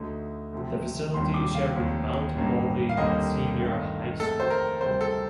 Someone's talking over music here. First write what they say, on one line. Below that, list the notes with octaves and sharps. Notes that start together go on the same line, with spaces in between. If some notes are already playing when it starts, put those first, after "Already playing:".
The facility is shared with Mount Lawley Senior High School.
Already playing: D2 D3 A3 D#4
D2 C3 F3
F1 D#2 D#3 G3 D4 C6
D6
F5
F1 D#2 D#3
A1 G2 D#3 A#3
F5
F1 D#2 D3 G3 A#3 D#5
G1 G2 D#3 A3
F2 D#3 A3 A4
C5
A#4
D2 C3 G3 C5
A4